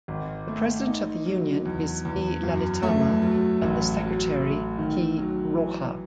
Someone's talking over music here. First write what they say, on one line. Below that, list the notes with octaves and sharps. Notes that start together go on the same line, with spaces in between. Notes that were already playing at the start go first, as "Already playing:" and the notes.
The president of the union is B. Lalitamma and the secretary P. Roja.
G#1
A3
D#4
F#3
E2
E2
F#2
A3
F#3
A1
F#3
A3
D#3
F#3
E3